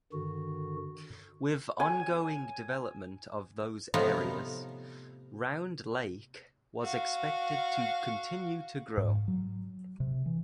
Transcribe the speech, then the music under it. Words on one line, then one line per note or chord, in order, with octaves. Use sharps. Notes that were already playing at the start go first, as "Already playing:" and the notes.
With ongoing development of those areas, Round Lake was expected to continue to grow.
G2 D3 D#3 F#4
G#5
A2 C3 F3 B3 D#4 F5
F#4 F5
G#2
F#3
C3
E3